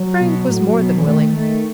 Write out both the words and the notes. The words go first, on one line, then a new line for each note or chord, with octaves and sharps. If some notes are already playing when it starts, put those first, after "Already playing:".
Frank was more than willing.
Already playing: F#3
B2
A2
B2
E3
D#3 A3
A3